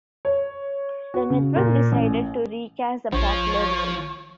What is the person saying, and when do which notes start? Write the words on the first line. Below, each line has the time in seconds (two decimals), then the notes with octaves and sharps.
The network decided to recast the popular role.
0.25 C#5
1.14 F#4
1.30 C#3
1.56 A#2
1.92 A1
3.12 A#1 F3 C#5